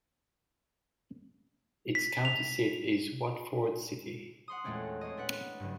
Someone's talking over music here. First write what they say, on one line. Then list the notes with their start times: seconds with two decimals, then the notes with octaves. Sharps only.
Its county seat is Watford City.
1.95 B6
2.25 F7
4.48 F#5 C6 D#6
4.64 E2 A#2 G#3 A3 C4 C#4
5.01 C4 C#4 D#5
5.17 D4 B4 F#5
5.60 F#1 G2